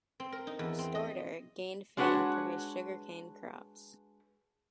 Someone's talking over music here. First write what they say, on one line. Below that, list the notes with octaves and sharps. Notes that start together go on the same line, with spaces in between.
Storter gained fame for his sugar cane crops.
C4
A#4
D#4
E2
C4
D#5
G#3 D4 F#4 B4 C#5 F#5